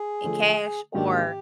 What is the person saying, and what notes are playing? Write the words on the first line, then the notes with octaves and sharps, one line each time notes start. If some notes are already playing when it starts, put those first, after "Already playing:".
in cash or
Already playing: G#4
D3 F3 A3
G#2 D#3 F#3 A#3 D4 G4